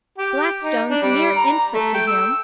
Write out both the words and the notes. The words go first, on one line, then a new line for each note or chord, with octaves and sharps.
Blackstone's a mere infant to him.
G4
D#4
D4
G3
A#5
A3
G5
E6